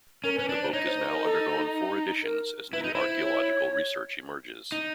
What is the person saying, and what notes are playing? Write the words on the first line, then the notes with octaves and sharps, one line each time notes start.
The book has now undergone four editions, as new archaeological research emerges.
C#4 A#4
C#4 B4
D4 B4
C5
D#4 C#5
C5
C5
A#4
A4
A#4
E4 B4
D#4
E4 C5
C#5
D#4